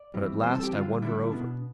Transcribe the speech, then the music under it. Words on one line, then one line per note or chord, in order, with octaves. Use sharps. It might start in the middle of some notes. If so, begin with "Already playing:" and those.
But at last I won her over.
Already playing: D5
F2 E3 G3 C4
F2 E3 G3 C4 C5
A4
G4
D3 G3 D4 F4
D3 G3 D4 E4
B2 B3 D4